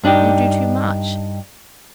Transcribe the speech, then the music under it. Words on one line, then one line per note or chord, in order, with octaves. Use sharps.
You do too much.'
G2 D4 D#4 G4